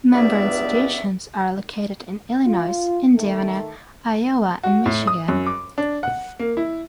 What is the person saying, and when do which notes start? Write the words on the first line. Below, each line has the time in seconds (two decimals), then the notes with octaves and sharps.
Member institutions are located in Illinois, Indiana, Iowa, and Michigan.
0.13 C#2 G2 E3 B3 D5 E5
2.46 F4
3.16 D#3 A3 A4
4.63 F#4
4.86 A2
5.07 D#6
5.29 F#2
5.46 D6
5.78 D4
6.03 F#5
6.39 A#3
6.57 E4